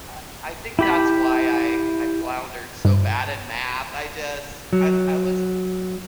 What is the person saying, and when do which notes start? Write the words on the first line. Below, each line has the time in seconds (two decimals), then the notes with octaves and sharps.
uh, I think that's why I I floundered so bad in math, I just I I was, uh
0.79 E4 G4 B5
2.85 G2
4.73 F#3